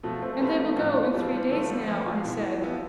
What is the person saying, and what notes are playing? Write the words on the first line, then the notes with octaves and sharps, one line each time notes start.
"And they will go in three days now?" I said.
B2 F3 A3
A3 C4
G3 A3 B3 C4 F4
F3 A3
A2 F3
E3
F3 G3 C4
E3 G3
D3 F3 A3
G3 B3
F3 A3 C4
F3
B2 E3
E3
F3 B3 E4 G4